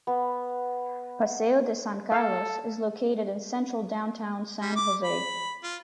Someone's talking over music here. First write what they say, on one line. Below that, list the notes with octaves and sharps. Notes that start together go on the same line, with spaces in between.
Paseo de San Carlos is located in central Downtown San Jose.
B3
A4 F5
G3
D6
B5
F4